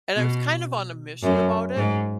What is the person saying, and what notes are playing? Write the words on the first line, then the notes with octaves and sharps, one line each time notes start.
And I was kind of on a mission about it,
B2
F#2
G#2